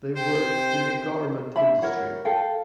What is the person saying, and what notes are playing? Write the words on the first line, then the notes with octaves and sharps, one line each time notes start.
They worked in the garment industry.
C3 C5 G5
D4 E5 B5
A#4 C#5 F#5
A4 F5 G5